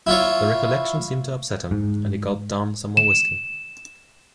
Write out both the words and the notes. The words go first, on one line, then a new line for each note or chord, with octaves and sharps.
The recollection seemed to upset him, and he gulped down some more whisky.
E4 F4 C#5
G#2
E7